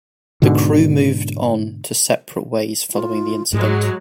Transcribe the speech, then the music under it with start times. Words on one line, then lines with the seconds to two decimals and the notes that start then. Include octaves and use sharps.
The crew moved on to separate ways following the incident.
0.42 G#2 B2 D3
2.94 F4
3.53 G#2 F#3 G#3 G#4